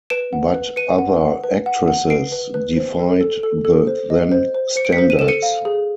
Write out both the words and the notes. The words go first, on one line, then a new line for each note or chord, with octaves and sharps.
But other actresses defied the then standards.
B4 D7 E7
F#5
B4
B4 C#7 D#7
F#5
F#5
B4
F#5
F#5
B4 C7 D7
B4
B4
C5
A4
A4
A4
A4
C5
D#5
C5
C5
C5 C#7
D7
B6 C#7
C5
D#7
A4 E7
C#7 D#7
F5
G#4